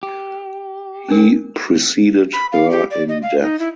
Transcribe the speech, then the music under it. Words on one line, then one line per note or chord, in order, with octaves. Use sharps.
He preceded her in death.
G4
C#4 D4 A#4
B5
F5
G4
D5
D#5
F5
D#4
E4